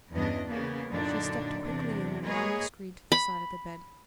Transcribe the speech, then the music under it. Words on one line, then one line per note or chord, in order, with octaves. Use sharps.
She stepped quickly in, and round the screen to the side of the bed.
E2 G2 B3 C#4 D4 D#5
C#3 A#3 B3
F#2 A#2 D3 F#3 D4 D#4
E2 C3 D4
G#3 A#3 G#4 B4 C#5 D#5
B5